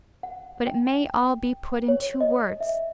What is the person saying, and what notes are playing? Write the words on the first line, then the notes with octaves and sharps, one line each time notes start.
But it may all be put in two words.
F#5
G5
C#5
D#5
E5